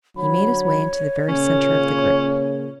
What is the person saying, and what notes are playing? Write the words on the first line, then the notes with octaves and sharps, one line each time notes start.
He made his way into the very centre of the group.
D3 F#3 C#5 B5
A#2 C#3 C#4